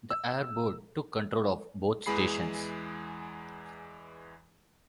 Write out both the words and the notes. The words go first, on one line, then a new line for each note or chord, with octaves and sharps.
The Air Board took control of both stations.
E6
E2 E3 G#3 G#4 B5 C7